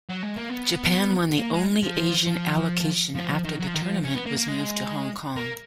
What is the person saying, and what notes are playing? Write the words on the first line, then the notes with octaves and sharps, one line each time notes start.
Japan won the only Asian allocation after the tournament was moved to Hong Kong.
F#3
G#3
A#3
B3
A#3
G#3
F3
F3
F3
F3
D#3
F#3
F3
D#3
F3
C#4
B3
A#3
A#3
G#3
A#3